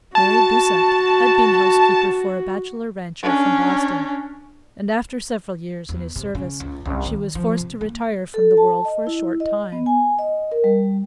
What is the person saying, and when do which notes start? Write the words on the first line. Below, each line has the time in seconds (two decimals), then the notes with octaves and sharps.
Mary Dusak had been housekeeper for a bachelor rancher from Boston, and after several years in his service she was forced to retire from the world for a short time.
0.15 F#4 A5
3.23 C#4 D4
5.89 E2
6.16 C3
6.35 C#3
6.60 C#2
6.86 C2
7.06 D#3
7.35 F3
7.58 C3
7.81 A#3
8.34 A4
8.57 A5
8.85 D#5
9.07 E4
9.40 D#5
9.72 B3
9.86 G#5
10.19 D#5
10.52 A#4
10.64 G3